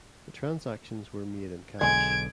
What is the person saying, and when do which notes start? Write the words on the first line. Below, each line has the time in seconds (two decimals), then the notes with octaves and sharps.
The transactions were made in cash.
1.81 B1 D3 G#3 G#6 D7